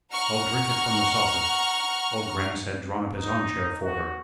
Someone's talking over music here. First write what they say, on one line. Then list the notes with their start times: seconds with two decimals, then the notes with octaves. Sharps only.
"I'll drink it from the saucer." Old Grannis had drawn up his armchair for her.
0.12 F#5 A#5 C#6 F6
3.17 D#4
3.82 F#4